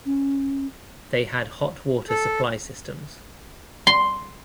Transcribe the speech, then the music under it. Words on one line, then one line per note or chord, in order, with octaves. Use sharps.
They had hot water supply systems.
C#4
A4
C6